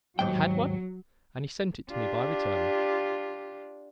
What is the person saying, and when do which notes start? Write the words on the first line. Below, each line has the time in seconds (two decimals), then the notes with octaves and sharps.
He had one, and he sent it to me by return.
0.19 D#2 G#2 F#3 G5
1.90 D4 F4 G4